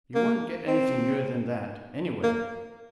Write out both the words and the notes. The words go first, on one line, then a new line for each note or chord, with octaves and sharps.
You won't get anything newer than that anywhere.
A#3
C4
A#3